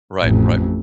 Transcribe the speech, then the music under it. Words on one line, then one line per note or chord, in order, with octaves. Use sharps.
Right, right.
A1 F2